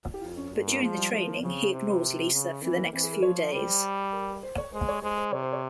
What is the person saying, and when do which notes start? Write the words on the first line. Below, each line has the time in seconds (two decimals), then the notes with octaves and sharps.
But during the training, he ignores Lisa for the next few days.
0.14 G4
0.21 F2 F4
0.37 C#4
0.53 G2
0.68 A#3
0.82 F3 G#3
0.97 G3
1.12 F3 G#3
1.27 A#3
1.42 C#3 C4
1.72 C3 C4
2.33 C#3
2.62 E3 C4
2.77 A#3
2.92 E3 C4
3.03 G#4
3.13 A#4
3.22 F3 C#5
3.52 G3 C5
4.13 A#4
4.43 C5
4.58 C#5
4.72 G#3 C5
4.88 C#5
5.03 G#3 C5
5.18 C5
5.33 C3 C#5
5.43 C5
5.53 C#5